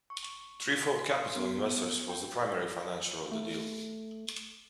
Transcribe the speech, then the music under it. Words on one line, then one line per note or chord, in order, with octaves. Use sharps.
Trefoil Capital Investors was the primary financier of the deal.
C#6
C6
B3
G5
A3